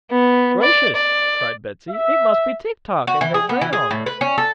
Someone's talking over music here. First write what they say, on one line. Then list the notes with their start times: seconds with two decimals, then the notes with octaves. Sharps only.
"Gracious!" cried Betsy; "it must be Tik-Tok, and he'll drown."
0.11 B3
0.62 D5
0.96 D5
1.90 E5
3.07 F#4
3.21 E3
3.34 G#4
3.49 B3
3.61 E3
3.73 G#4
3.91 A2
4.06 B4
4.21 C#4
4.38 A4